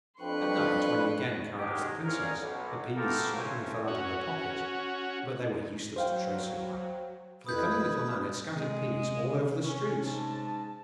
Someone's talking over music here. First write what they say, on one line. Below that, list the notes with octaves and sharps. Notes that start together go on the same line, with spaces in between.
At night, when he again carried off the Princess, the peas certainly fell out of her pocket, but they were useless to trace her by, for the cunning Little Man had scattered peas all over the streets.
F2 D4 B4 G5 C6 C#6 F#6
D#2 D#3 F#3 G#3 G4
G3 C4 C#4 F4 G#4 A#4
B1
A3 B3 F4 G4 A4 A#4
F#3 A3 C4 C#4 F4
C#4 F#4
F#3 C5 F5 G5
F2 E4 B4 D#6 G6 G#6
C3 G#3
C#4
G#2 A5